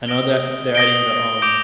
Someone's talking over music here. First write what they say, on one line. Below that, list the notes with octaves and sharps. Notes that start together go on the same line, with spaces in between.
I know that they're adding the, um,
D#6 A#6 D7 G7
D#6 A#6 D7 G7
D6 G6 D7 F7